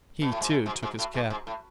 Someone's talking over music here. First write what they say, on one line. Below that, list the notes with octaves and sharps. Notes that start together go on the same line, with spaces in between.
He, too, took his cap.
B2
A2
G#2
F#2
G#2
G#2
A2
G#2
G#2
A2